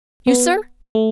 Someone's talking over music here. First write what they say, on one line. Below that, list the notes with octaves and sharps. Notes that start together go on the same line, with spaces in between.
You, sir?
B3
A3